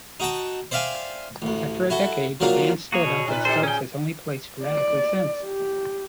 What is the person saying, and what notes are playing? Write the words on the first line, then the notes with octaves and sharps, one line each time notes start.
After a decade, the band split up and Stubbs has only played sporadically since.
D#4 F#4 G5 A5
C5 D5 E5 F5 G5 G#5
A1 D2
E4 F#4 A4
F3 F#3 A#3 D4 F4
A#3 F#4 G#4 C#5
B2
A#2 D#4 F4 B4
D#4 G4 A4 C5
C#4 G#4 G5
D5
G4